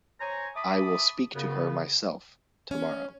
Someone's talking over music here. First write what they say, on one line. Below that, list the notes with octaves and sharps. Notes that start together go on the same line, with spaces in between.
I will speak to her myself tomorrow.
C5 C#5 G#5 A#5
E5 A5 B5 D6 D#6
F#2 C#3 B3
C#4